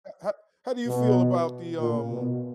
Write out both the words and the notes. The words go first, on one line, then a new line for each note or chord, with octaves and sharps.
H how how do you feel about the, um
B2
A#2
B2